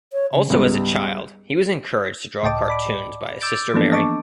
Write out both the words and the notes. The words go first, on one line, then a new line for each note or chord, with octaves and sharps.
Also as a child he was encouraged to draw cartoons by his sister Mary.
C#5
C#3
C#2 G#2 G3 B3
C#2 A2 D#5 G5 A5 D6
D5 B5 D6
D6 E6 G6 A6 D7
E3 F3 A#3 B3 D4 A4
D#5 A5 C#6 D6